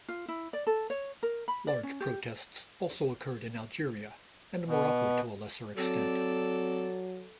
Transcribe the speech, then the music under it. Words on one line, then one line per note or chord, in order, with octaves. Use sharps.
Large protests also occurred in Algeria and Morocco to a lesser extent.
F4
E4
D5
A4
C#5
A#4
B5
D5
C#4
G4
B2
F#3 C4 A4 D5